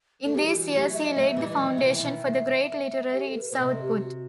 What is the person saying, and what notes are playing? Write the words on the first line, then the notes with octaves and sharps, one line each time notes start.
In these years he laid the foundation for the great literary its output.
A3 A4
E3 G3 G4
G4
F#4
F#3 A3 G4
E5
D#5
F#3 A3 E5
E3 G3
D#5
G3
D#3 F#3
E5
C3 E3
E5
B2 D#3
G4
A4
B4
B2 C5
C3 D#5
A4
G4
F#4